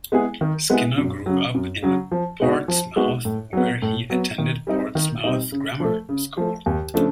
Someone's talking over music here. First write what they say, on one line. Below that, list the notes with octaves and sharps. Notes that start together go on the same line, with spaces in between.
Skinner grew up in Portsmouth where he attended Portsmouth Grammar School.
G#3 B3 E4 G#4
D#3
G#3 B3 E4 G#4
F#2
C#3 F#3
F#2
C#3 F#3
F3
G#3 B3 D#4 F#4
F3
G#3 B3 D#4 F#4
A2
F#3 B3
A2
F#3 B3
D#3
G3 C4 D#4
D#3
G3 C4 D#4
C#3
F3 A3
C#3
F3 A3
D#2
C#3 F3 A3 D4